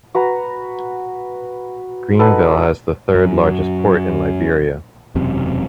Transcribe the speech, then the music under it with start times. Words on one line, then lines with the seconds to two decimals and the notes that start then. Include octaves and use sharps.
Greenville has the third-largest port in Liberia.
0.15 F#4 B4 A#5
2.19 D#4 A4 B4 F#5
3.15 F#2
5.15 E1 F#2 C3